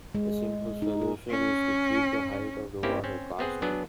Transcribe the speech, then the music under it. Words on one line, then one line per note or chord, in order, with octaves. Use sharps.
A simple solution is to keep the height of the water constant.
G#3
D#4
G#4
C#4
A#3 C4 C#4 E4 G4
C4 C#4
B3 C4 G#4 F#5
F#3 B3 D4 G#4